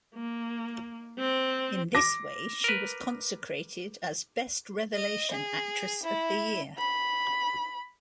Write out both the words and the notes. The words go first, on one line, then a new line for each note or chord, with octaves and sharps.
In this way she was consecrated as "best revelation actress of the year".
A#3
C4
D6 A#6
A#4 B4
D#5
G#4
E4
B5